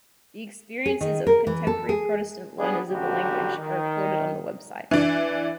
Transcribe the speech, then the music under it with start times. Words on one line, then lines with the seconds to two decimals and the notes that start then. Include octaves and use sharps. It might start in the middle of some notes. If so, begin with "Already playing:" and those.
The experiences of contemporary Protestant learners of the language are recorded on the website.
0.86 G#4
1.01 D#3
1.27 A#4
1.47 E3
1.67 A4
1.89 G#4
2.59 G3 B3 D4 G#4
2.89 A1 D3 F#4 G4
3.57 D#3
4.91 E3 D4